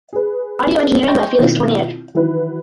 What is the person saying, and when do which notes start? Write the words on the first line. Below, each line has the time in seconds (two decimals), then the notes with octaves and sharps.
Audio engineering by Felix Tournier.
0.13 G#4 B4
1.08 D#5 G5 C6 C#6 G6 A#6
1.40 B2 D#3 A#3 C4 E4 F4
2.15 D#3 E3 F#3 E4 B4